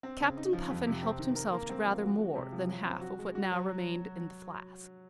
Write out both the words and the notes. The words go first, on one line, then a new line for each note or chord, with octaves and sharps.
Captain Puffin helped himself to rather more than half of what now remained in the flask.
C4
C#3
D#4
F3
F2
C3
C4
D#3
A#4
A#3
C4
F3
F#4
G#3
C3
F3
F#3
C4
F#4
G#3
F#4
F#3